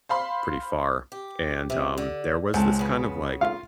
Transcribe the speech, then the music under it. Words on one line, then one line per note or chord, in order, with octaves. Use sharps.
pretty far, and, um, there was this kind of, like,
C5 F5 B5 C6
G4
C3
D3
C#2 C4 A5
C#3 B3
F4 F5